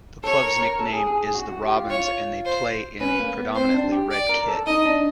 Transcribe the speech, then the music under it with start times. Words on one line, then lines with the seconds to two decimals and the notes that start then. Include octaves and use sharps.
The club's nickname is the Robins and they play in a predominantly red kit.
0.24 A4 C#5
0.42 A#4
0.61 A#4
0.79 A4
0.93 G#4
1.07 G#4
1.21 G#4
1.35 F#4
1.49 F#4
1.62 G4
1.76 F4
1.90 F4 C#5
2.45 C5
3.00 C#4 B4
3.19 A#3
3.38 B3
3.55 C4 C5
3.74 D4
3.92 G4
4.11 D5
4.29 A#4
4.48 A4
4.66 D#4 D#5
4.85 D4